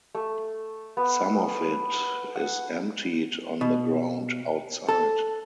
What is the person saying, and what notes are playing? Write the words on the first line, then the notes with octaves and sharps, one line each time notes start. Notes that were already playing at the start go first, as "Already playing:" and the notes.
Some of it is emptied on the ground outside.
A3
B3
F#5
B2
A4